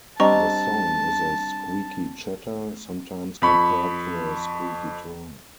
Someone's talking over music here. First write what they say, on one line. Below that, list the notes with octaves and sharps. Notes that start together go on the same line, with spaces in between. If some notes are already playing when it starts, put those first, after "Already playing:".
The song is a squeaky chatter, sometimes compared to a squeaky toy.
G3 C4 D4 D#5 A5 A#5 C#6
F2 B5 C#6